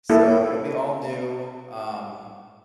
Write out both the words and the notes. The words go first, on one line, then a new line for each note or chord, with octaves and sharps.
So, it'll be all new, um
A#3 E4 A4